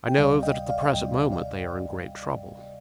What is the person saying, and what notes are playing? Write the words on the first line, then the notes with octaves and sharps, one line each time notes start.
"I know that at the present moment they are in great trouble."
G5
D2 C3 G3 D5 F5
D#5 G5
D5 F5
F5
D2 C3 G3 D#5 G5
D5 F5